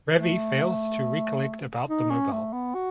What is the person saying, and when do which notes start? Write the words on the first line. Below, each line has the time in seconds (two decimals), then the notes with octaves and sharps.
Ravi fails to recollect about the mobile.
0.18 A3
1.90 D#4
2.10 C#4
2.33 A3
2.53 B3
2.74 F#4